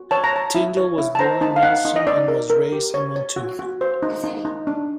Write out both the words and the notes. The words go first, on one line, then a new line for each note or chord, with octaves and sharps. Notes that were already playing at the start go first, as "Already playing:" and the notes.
Tindill was born in Nelson and was raised in Motueka.
Already playing: F#4
C#5 A5
A#5
C#5 A5
E4
C#5
E4
A5
C5 A#5
D#4 A5
F5
D#4 F#5
D#4
D#5
D#4 D5
A#4
A#4
G4
C#5
C#5
F#4
F#4
C5
D#4
D#4
D#4
D4